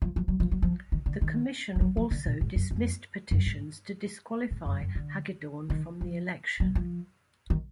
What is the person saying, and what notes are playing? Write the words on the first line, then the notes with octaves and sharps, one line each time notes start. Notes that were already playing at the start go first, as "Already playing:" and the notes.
The commission also dismissed petitions to disqualify Hagedorn from the election.
F3
F3
F#3
F3
F#3
F3
D#3
D3
D#3
F3
F#3
F3
D3
A#2
G#2
F#2
F2
F#2
G#2
G#2
F#2
F#2
D3
D#3
F3
F#3
F3
D#3